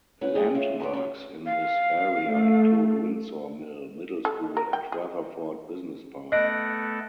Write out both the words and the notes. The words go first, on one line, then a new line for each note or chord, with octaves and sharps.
Landmarks in this area include Windsor Mill Middle School and Rutherford Business Park.
C#4 B4 F#5
A3 G4 G#4
C#4 F4 E5
D2 B3 C#5 D5
F#3 C#4
F5
A3
A4
A#4
G5
G#4
A3 B3 A4 D#5 F#6 A#6 D7